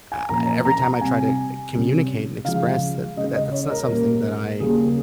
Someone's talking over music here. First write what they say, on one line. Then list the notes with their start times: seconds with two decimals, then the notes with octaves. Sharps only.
uh, every time I try to, uh, communicate and express that, that that's not something that I
0.12 G#5
0.29 A#2 F3 A#3 C#4 A#5
0.65 A#5
1.01 C3 G3 C4 G#5
1.73 C3 G3 C#4
2.45 C#3 F3 G#3 F5
3.16 C#3 G#3 C#4 D#5
3.35 D#5
3.52 C#5
3.71 A#4
3.88 A#2 G3 A#3 C#4
4.60 C#3 G3 A#3 C#4 G#4